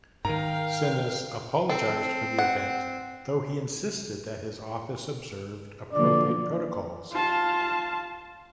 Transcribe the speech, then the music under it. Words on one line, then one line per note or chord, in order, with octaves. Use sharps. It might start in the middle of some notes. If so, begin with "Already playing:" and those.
Sinas apologized for the event though he insisted that his office observed appropriate protocols.
G#2 D#3 A#4 F5 G5 A#5
C4 A4
F#5
D3 F3 A#3 D5
F4 A5